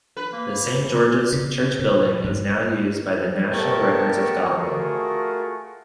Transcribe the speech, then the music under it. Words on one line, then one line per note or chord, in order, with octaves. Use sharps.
The Saint George's Church building is now used by the National Records of Scotland.
B4
A#3
C#3
A#2
G#2
A3 B3 G4 A#4 C#5 A5
A3 F4 F#4 G#4 A#4